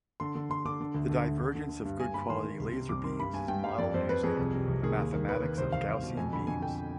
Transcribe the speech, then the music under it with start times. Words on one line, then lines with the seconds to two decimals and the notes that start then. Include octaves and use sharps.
The divergence of good-quality laser beams is modeled using the mathematics of Gaussian beams.
0.20 D3 C6
0.35 D3
0.50 D3 C6
0.65 D3 D6
0.81 D3
0.95 D2
1.09 D3
1.24 D2
1.39 D3
1.55 D3
1.69 D3
1.85 G2
1.99 G2 G#5
2.14 G2 B5
2.29 D#3 C6
2.44 G2
2.60 C2
2.74 C3
2.89 C2 D6
3.04 D#3 C6
3.20 G2 B5
3.33 G2 G#5
3.48 G2 G5
3.64 G2 F5
3.78 F2 D5
3.94 F2 C5
4.08 F2 B4
4.23 F2 G#4
4.38 C2
4.54 C3
4.68 C2
4.83 D#3 G#4
4.99 D#2
5.13 D#3
5.28 D#3 B4
5.42 D#3
5.58 C2 C5
5.72 C2 F5
5.88 C2
6.03 B2
6.17 F2 G#5
6.33 D3 B5
6.47 F2 G#5
6.62 D3 G5